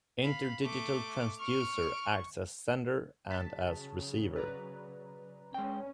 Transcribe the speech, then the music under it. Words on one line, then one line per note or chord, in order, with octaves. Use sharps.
Interdigital transducer acts as sender and as receiver.
F5 B5
A3 D6
C#6 F6 D7
C#3 F#3 A5 A6 B6
B4 D5 A#5
G#3 C#4 G5